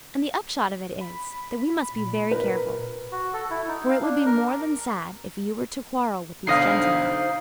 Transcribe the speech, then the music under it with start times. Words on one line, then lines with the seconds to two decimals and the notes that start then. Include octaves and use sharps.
And the upshot of it is, that we must be very careful; for it would be more than sad if you were to quarrel with these gentlemen.
1.01 B5
1.92 A#2
2.31 A#4 B4
3.12 F#4
3.34 A4
3.51 E4
3.68 D#4
3.89 F5
4.02 D4
4.26 A#4
6.47 B1 D3 D#4 C5 F5 D#6 A#6 C7